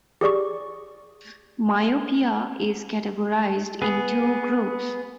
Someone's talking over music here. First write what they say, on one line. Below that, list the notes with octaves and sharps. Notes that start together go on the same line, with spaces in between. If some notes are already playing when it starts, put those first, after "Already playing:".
Myopia is categorized in two groups.
G4 G#4 D5 C#6
B3 G#4